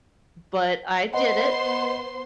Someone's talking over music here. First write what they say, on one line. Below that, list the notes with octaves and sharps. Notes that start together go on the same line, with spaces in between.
but I did it.
B3 C5 D#5 F#5 C6